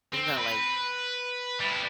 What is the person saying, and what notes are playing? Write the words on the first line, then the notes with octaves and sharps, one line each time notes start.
It's not like,
C4
B4
G3 E4